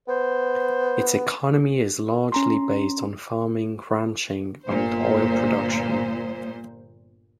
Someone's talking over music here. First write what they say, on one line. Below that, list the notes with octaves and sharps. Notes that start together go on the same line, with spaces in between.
Its economy is largely based on farming, ranching and oil production.
B3 C5
C#4 A#5 C6
G1 A#2 C5